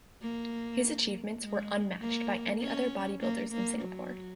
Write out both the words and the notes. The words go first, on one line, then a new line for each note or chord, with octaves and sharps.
His achievements were unmatched by any other bodybuilders in Singapore.
A#3
G#3
A#3
C#4
A#3
A#3
F#3